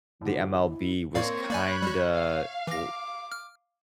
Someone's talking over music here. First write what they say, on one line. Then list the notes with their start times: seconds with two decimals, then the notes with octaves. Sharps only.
the MLB was kinda l
0.21 A2 D3
0.36 G4
0.63 E4
1.15 A2 A#3 C4 C#5 D5 F5
1.50 A#3 D5 G#5 B5 F#6 G6
1.82 G3 F#4
2.12 F5
2.67 E3 D6 A#6
3.32 F6